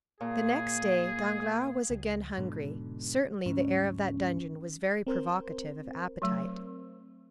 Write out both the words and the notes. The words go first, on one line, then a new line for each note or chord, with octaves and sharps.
The next day Danglars was again hungry; certainly the air of that dungeon was very provocative of appetite.
A#2 G#4
C#2
G#2 B2 D3
D2 G#2 C#4
C4 A#4 C5
F#3 A3